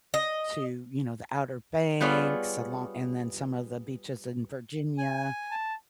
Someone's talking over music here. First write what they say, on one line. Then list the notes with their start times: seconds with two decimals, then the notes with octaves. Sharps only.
to, you know, the Outer Banks alon and then some of the beaches in Virginia
0.14 D#5
2.01 G3 B3 F4 G#4 C#5 D5
4.98 G#5
5.51 A5